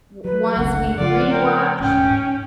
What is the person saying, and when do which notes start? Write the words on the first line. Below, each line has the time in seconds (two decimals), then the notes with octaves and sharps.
o ones we rewatch
0.25 F#3 B4
0.57 F#1 C#2 D3 F#5
0.98 C#3 F3 A3 F4 D5
1.31 A#4 C#5 G5
1.80 D#1 G#2 C#4 G5
2.11 G#2